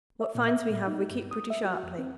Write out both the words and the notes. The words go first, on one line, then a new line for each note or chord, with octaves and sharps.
What fines we have, we keep pretty sharply.
E5
A#2
E5
A2
D#4
G2
D#6
E5
F#4
F2
C4